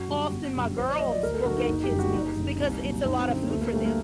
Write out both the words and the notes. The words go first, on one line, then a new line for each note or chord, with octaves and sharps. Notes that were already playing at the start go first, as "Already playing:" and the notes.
often my girls will get kids meals because it's a lot of food for them.
Already playing: F#2 F#4
D3 G3
G1
F#2 D3 G3
A#1 C5
D5
A#2 F#3 D#5
D5
D2 A#4
A4
D3 F#3 F#4
D#4
F#1 D#4
G4
F#2 D3 G3
F#4
F#1 D#4
F#2 D3
C2
A#2 F#3
F#2 D#4
C4
D3 F#3
A#3
D2 A3
A#3
D3 G3 A3
A#3